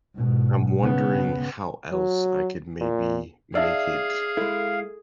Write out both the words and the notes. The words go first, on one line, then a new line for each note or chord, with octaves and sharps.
I'm wondering how else I could maybe make it,
G#2 B2
C#3 B3
F#3
A#2
D#4 G#4 D5 E5 F5 E6
G#3 E4 A4